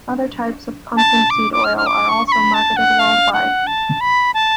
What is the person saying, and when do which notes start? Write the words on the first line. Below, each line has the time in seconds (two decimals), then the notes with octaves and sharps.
Other types of pumpkin seed oil are also marketed worldwide.
0.97 A5
1.30 D6
1.53 D6
1.64 F6
1.77 F6
1.86 D6
2.09 C#6
2.27 C#6
2.32 B5
2.54 A5
2.76 F#5
2.99 F5
3.33 F#5
3.67 A5
4.00 B5
4.34 A5